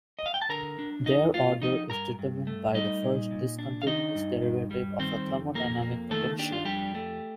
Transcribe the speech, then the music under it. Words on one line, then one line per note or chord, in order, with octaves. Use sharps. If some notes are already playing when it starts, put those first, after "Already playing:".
Their order is determined by the first discontinuous derivative of a thermodynamic potential.
D#5
F5
G5
A5
D3 A#4 A#5
D4
F2 D#4 D#5
A3 F4 F5
F3 D#4 D#5
G2 A#4 A#5
G2
A3
G3 D#4 D#5
A#2
A#2
D4
F5
D#3 D#4 D#5
G2
G2
G3
D#3 C4 C5
F2
F2 A#3 A#4
A#3
D#3 A3 A4
D4 G4
F4
F2 G3 G4
A3